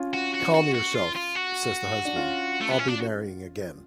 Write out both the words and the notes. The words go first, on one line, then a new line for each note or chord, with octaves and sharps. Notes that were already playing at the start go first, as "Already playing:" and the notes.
"Calm yourself," says the husband, "I'll be marrying again"'.
Already playing: C#4 F4
F#4
F#4
F#4
F#4
F4
F4
F#4
D4
C#4 F4
A3
B3
C#4
D4